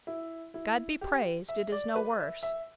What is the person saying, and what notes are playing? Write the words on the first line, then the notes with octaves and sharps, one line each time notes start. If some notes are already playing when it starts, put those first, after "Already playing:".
'God be praised it is no worse!
E4
E4
G4
E5
D5
B4
E5
E5